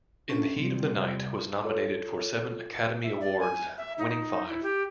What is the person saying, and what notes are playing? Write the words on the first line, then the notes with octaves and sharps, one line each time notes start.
"In the Heat of the Night" was nominated for seven Academy Awards, winning five.
C#4 D4 A4 C#6
C3 G3
F4 A4 C#5
E5
D5
G#5
E5
D#4
E4
G4